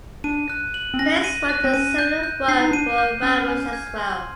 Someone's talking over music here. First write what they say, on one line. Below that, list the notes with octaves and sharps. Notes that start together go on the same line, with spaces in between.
Pace wrote a similar work for Ramus as well.
D4 D#7
F#6
F#7
C4
C#4 A#6
D#7
F#6
C4
C#4 D#7
G6
G6
D4 C7
D#4
D4 D#7
G6
C#4 F6
G#5
G#6
C6